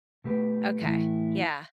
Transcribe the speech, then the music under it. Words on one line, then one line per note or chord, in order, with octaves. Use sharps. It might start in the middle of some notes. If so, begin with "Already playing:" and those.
Okay. Yeah.
B2 A3 G4 B4
A2 E3 A3 E4